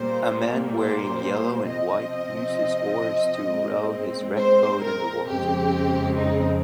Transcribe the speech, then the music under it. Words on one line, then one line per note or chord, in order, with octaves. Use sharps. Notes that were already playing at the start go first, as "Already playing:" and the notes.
A man wearing yellow and white uses oars to row his red boat in the water.
Already playing: A#2 G3 A#3 C5
C5
C3 F3 C4 D#5
A#2 G#3 C4
C5
A#4
F2 C#3 F3 G#3 C4 G4
D#4